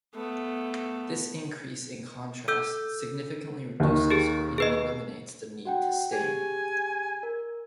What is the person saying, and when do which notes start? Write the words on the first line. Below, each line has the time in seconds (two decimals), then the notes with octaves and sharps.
This increase in contrast significantly reduces, or even eliminates the need to stain.
0.15 A3 B3
2.48 A4 E6 G6
3.80 D#2 D#3
4.10 G4 G#4
4.58 G#4 B4 D#5
5.65 F#4 F#5 G5
6.12 G4 G#4 G#5
7.23 A#4